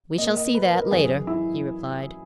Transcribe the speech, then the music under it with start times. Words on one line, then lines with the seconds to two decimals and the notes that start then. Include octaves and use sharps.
"We shall see that, later," he replied.
0.18 A#2 A#3 D#5
0.37 D#5
0.55 B4
0.72 A#4
0.91 F#2 E3 G#3 G#4
1.27 E4